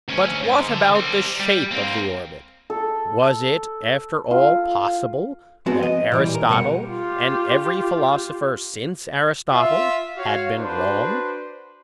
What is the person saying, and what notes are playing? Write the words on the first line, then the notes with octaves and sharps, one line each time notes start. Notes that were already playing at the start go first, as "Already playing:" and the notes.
But what about the shape of the orbit--Was it after all possible that Aristotle, and every philosopher since Aristotle, had been wrong?
D2 C#4
G#2
D3
G3 C4
G3
A#3 C4
A4
F4
F3 G#3 B3 C4 F#4
D#5
A#2 E3 G3
A#4
B2 G3 A#4 F#5
F4 G4
F4 E5
F#4 C#5 F5
D4 F#4 B4 C5